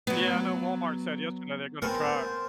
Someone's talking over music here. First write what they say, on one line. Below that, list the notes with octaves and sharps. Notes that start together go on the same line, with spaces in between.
Yeah, I know Walmart said yesterday they're gonna try
F#3 B3
B3 C4 A#4 C5 G#5 A5